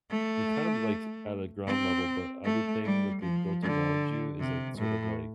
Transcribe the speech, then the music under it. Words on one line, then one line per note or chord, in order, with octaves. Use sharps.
you're kind of d like, at a ground level, but everything that they've built around you is, like, sort of, like,
A3
C4
A3
G3
F3
D3
C3
A2